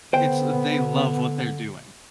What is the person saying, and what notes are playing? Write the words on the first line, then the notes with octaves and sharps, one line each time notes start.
It's they love what they're doing.
D3 B3 C5 G5